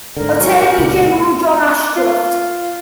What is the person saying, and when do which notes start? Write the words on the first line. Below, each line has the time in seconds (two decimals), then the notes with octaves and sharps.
Attorney General John Ashcroft.
0.17 G#2 D3 A#4
0.41 F#3 C#4
0.59 B2 G4
0.78 C#2 A#2
1.96 F4